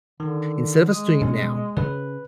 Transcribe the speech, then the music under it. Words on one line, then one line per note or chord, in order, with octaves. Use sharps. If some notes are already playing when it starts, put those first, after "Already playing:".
Instead of us doing it now,
D3 D#3
G#3 D#6
B2 C#4
C#3 B4